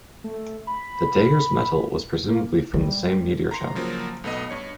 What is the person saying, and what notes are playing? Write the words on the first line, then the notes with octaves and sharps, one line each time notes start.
The dagger's metal was presumably from the same meteor shower.
A3
B5
A#3
G3 A3
A#5 C6
C#3 F3 F#3 A#3
B1 A3 B3 D#5
G2 C#5 C#7